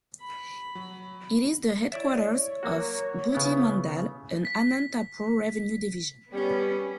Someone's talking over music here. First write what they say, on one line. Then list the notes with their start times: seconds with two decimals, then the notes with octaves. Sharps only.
It is the headquarters of Gooty mandal in Anantapur revenue division.
0.21 B5
0.75 F#3
1.92 E4 C#5 D5 E5
2.63 F#3 A#3 F#4
3.32 C#3 B3 E4
3.69 G#4
4.45 B6
6.32 G3 B3 C#4